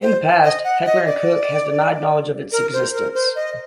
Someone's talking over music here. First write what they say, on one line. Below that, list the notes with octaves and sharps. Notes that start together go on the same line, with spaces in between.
In the past, Heckler and Koch has denied knowledge of its existence.
C5
D#5
F#5
D#5
D5
A#4
C5
A#4
C5
D#5